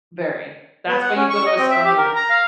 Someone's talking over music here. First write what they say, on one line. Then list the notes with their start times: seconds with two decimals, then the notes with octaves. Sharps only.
Very. That's why you go to Estonia.
0.87 B3
1.01 F#5
1.16 C#4
1.30 C#6
1.46 D#5
1.58 C4
1.71 E5
1.84 G4
1.98 A#4
2.16 A#5
2.30 F5